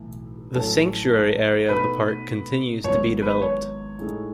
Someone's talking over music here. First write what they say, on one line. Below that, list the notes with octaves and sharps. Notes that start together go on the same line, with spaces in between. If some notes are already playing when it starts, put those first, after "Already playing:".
The sanctuary area of the park continues to be developed.
Already playing: B1 A2 E3
A1 A2 F#3 C#4 A4
B2 A3 D#4 F#4 A4 B4
G#1 G#2 F#3 B3 E4 C#5
B4
C#5
A2 G#3 D#4 A4